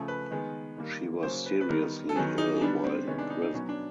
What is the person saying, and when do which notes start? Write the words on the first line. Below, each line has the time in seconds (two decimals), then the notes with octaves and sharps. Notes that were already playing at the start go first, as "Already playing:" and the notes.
She was seriously ill while in prison.
Already playing: C#3 F3 A3
0.08 B4
0.31 D#3 G#3 B3
0.77 D#3 G3 A#3
1.23 C#3 F#3 A#3 C5
1.46 B4
1.61 B4
1.69 D#3 G3 B3 A#4
2.09 A4
2.15 D#3 F#3 B3 G#4
2.38 D#4
2.61 D3 G3 B3 D4
2.84 C4
3.07 C3 D#3 G#3 B3 C#4
3.18 D4
3.30 D#4
3.42 D#4
3.53 B2 F#3 B3 C#4
3.69 D4